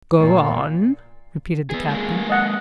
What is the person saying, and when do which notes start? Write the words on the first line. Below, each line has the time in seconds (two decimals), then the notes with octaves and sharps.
"Go on?" repeated the captain.
0.19 A#2
1.70 B3 G#4
1.88 G#3 A#3 G#4
2.30 D#5 F#5